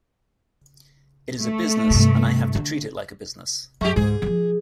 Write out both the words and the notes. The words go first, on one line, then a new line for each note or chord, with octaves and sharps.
It is a business, and I have to treat it like a business.
A3
G2 C3
D3
F#2 G#3 G4
C#2 G#2 G#4
E3 F3